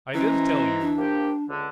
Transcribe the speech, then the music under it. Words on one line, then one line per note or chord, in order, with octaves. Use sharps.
I did tell you.
E3 C#4 C5 D#5 A#5
D4
F3 A#3 G4
C#2 D3